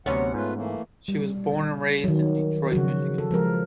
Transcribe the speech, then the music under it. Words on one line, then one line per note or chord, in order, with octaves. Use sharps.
She was born and raised in Detroit, Michigan.
D2 C3 F#3 B3 C#4 F#5
G#2 A3 F4 B4
E3 A3 A#3
G3
D#3 F#3
C#3 F3 F#3 F#4
A4
F3 G#3 A#4